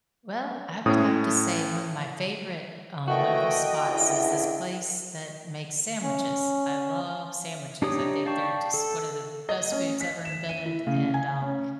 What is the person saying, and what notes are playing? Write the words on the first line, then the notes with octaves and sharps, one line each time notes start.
Well, I would have to say one of my favorite, um, local spots is this place that makes sandwiches. I love sandwiches, I think they're just one of the best foods ever invented, and, um,
A2 C#4 D#6
A#2 E3 A3 F#4 D#5 G5
C#2 D3 E4
C#4
D4 D#4 G4 C#5 D#6
D5 F5 G5 A5 C#6
A4
D#5
C#4
B6
E7
D#7
E4
C#3
G#5
C#4